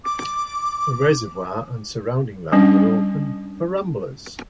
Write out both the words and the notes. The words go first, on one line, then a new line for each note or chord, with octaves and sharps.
The reservoir and surrounding land are open for ramblers.
D6
G3 C#4 D4